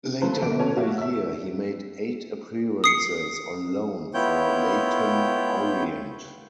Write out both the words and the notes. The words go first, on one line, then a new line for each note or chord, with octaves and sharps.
Later in the year, he made eight appearances on loan for Leyton Orient.
E3 F#3 A3 A#3 B4 C5
G1 D3 D7
B2 C#4 A4
F#4 G4 C#5 E5 F5
E5 E6
D#6 C7 C#7
B3 E4 F4 C#5 G5 G6